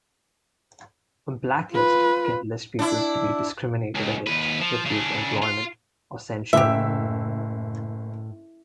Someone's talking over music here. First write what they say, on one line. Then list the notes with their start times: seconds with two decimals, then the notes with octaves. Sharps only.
A blacklist can list people to be discriminated against, refused employment, or censured.
1.72 F4 B4
2.79 D4 E4
3.95 C#2
4.27 D#2 B4
4.60 F3
4.86 C#3 D4
5.42 F4
6.53 F#1 A2 G4 E5 E6